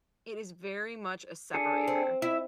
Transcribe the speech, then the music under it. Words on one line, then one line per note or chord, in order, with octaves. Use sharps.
it is very much a separator.
D4 G#4 A4
C4
E4 E5